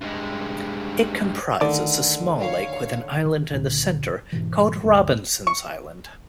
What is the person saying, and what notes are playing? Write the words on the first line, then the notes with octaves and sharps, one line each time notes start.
It comprises a small lake with an island in the centre, called Robinson's island.
G2 G#3
D3 D#3 A3 D#4 D5
C#5 F5
D#3
C#2 A#2 D3
G#2 B2 E3
D2 G2
C#6